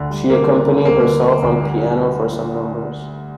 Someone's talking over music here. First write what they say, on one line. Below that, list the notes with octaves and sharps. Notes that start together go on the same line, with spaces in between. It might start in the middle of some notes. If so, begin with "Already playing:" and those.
She accompanied herself on piano for some numbers.
Already playing: D2 D3
G3
D2 A#3
G3
D3
D2 A#3
D3
D3
D2
G3